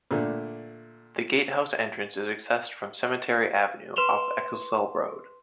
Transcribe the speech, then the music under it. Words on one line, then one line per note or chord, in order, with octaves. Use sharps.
The Gatehouse entrance is accessed from Cemetery Avenue off Eccelsall Road.
A#2 D3 A3
B4 C6 E7 F7 G7